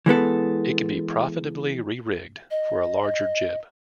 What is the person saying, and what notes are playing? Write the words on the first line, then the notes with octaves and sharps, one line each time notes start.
It can be profitably rerigged for a larger jib.
E3 G#3 B3 A4
D#5